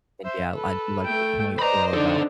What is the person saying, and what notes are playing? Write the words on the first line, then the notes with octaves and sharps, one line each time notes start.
And yeah, I do like the point, you know, about,
C5 E5
A4 B4
A3 G5
B4 C5 D5 D#5 A#5 B5
D4 D#4 A4 D5